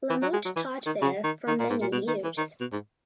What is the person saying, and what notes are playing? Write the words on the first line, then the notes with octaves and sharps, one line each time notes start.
La Motte taught there for many years.
E3
F#3
G#3
F#3
E3
D#3
C#3
D#3
D#3
A#2
G#2
A#2
B2
D#3
E3
D#3
B2
G#2